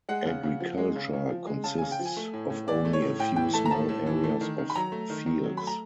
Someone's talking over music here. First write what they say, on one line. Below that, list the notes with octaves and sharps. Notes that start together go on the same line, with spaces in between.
Agriculture consists of only a few small areas of fields.
G#3 F#5
C#3
C#3
F3
G#3
C#3
C#3
F3
G#3
C#3 A5
C#3 G#5
G5
F3
G#5
A3
A2
A2
E3 D5
A3
C#5
A2
A2 G5
E3 G5
A3 A5
A#5
A2 A5
A2
E3
A3
D#3
D#3
B5
F#3 A#5
A3
D#3
D#3
F#3
A3 B5
A#5